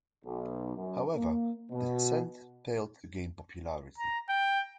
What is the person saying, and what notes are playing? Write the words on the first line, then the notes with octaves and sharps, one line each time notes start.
However, this scent failed to gain popularity.
B1
F#2
A#3
B2
A#5
G5